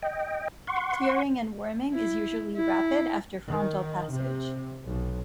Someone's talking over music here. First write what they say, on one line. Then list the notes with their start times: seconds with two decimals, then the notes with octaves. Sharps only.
Clearing and warming is usually rapid after frontal passage.
0.03 D#5 G5
0.67 F#5 C6 C#6
1.94 E4
2.56 E4
3.49 D#3
4.11 C3
4.86 B1